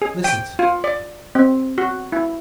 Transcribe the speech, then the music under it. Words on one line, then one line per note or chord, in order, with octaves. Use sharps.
"Listen," said the monkey.
G#4
G5
F4
D5
C4
F#4
E4